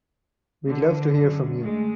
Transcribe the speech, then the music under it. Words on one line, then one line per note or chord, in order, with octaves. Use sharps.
We’d love to hear from you.
D3
F#2 D3
G#3 A3